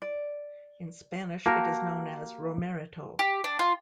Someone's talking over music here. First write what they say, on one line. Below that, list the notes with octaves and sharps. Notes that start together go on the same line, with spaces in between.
In Spanish it is known as "romerito".
D5
A#3 F#4 G4 A#4 A5
G4
D4
F4